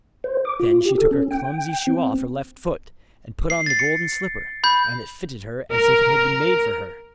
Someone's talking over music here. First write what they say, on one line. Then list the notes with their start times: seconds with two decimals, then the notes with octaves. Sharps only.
Then she took her clumsy shoe off her left foot, and put on the golden slipper; and it fitted her as if it had been made for her.
0.24 C5
0.45 D6
0.60 F4
0.85 G4
0.98 A4
1.11 C#4
1.31 G5
1.87 C4
3.50 C7
3.66 A6 C7
3.79 C#7
4.64 B5 G6
5.72 A#4